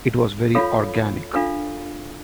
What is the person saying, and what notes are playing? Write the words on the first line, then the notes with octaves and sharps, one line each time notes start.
It was very organic.
F4 A4 C#5 F5 B5
D4 F4 A4 F5